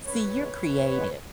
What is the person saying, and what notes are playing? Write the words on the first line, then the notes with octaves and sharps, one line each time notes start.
See, you're creative.
F#2 B4 C#5
C#3 E3 G#3 B3
F#2
C#3 E3 G#3 B3